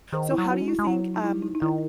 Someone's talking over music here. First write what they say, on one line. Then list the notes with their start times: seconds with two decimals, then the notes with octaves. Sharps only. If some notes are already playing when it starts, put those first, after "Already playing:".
So how do you think, um, eh,
0.12 D#3 G#4 C5
0.31 E4
0.38 F#3
0.50 D#4 F#4
0.62 G#3
0.68 E4
0.79 G#3
0.86 F#3 E4
1.14 D#4
1.24 E4
1.42 D#4
1.55 D#4
1.61 D#3 E4